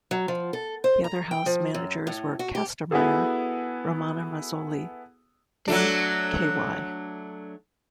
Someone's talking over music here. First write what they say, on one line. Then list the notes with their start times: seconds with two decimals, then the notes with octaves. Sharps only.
The other House managers were Kastenmeier; Romano Mazzoli, D-Ky.
0.11 F#3
0.28 F3
0.53 A4
0.84 C5
1.04 A#5
1.31 G5
1.46 F3
1.74 F#2
2.07 A2
2.39 F#4
2.55 G4
2.91 B3 E4 F#4 G#4 A4
5.68 F#3 A3 D4